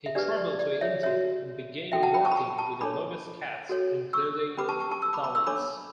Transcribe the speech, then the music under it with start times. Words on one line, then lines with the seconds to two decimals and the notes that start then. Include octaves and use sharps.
He traveled to India and began working with the lowest castes, including Dalits.
0.06 E5
0.15 D4 G4 B4 D5
0.38 D5
0.59 D5
0.81 C#5 E5
1.03 F#4 C#5 E5
1.92 C#4 F#4 A4 E5 G5
2.03 F#5 A5
2.14 G5 B5
2.25 A5 C#6
2.32 B5
2.36 A5 C#6
2.58 A5 C#6
2.81 D4 A4 C#5 B5 D6
3.69 F#4 A4 C#5
4.13 C#6 E6
4.57 C#4 G4 B4 B5 D6
4.69 A5 C#6
4.80 A5 C#6
4.91 A5 C#6
5.02 C#6 E6
5.13 B5 D6
5.24 B5 D6
5.35 C#6 E6
5.46 D4 A4 C#5 B5 D6